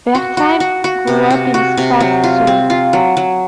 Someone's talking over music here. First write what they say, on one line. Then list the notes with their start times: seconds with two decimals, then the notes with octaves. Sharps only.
Wertheim grew up in Stralsund.
0.15 F#4
0.37 F#4
0.60 F#4
0.84 F#4
1.07 C3
1.30 F#4
1.54 F#4
1.77 C3
2.00 F#3
2.24 F4
2.47 C4
2.70 F4
2.93 F#3
3.17 F#3